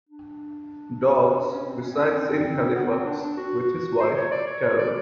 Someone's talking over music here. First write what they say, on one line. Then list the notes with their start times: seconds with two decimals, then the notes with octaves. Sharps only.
Dodds resides in Halifax with his wife, Carol.
0.09 D4
1.51 C#4
1.66 C4
1.82 C#4
1.90 C4
1.97 C#4
2.12 C4
2.44 C4
2.75 B3
2.90 C4
3.06 D4
3.22 D4
3.37 F#4
4.00 C5
4.16 C#5
4.32 D5
4.47 C#5
4.63 C#5
4.78 D5